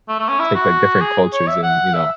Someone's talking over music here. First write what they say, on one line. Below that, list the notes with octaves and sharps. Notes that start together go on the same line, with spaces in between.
take, like, different cultures and, you know
A3
A3
C#4
E4
F#4
G#4
C#5
E5
F#5
E5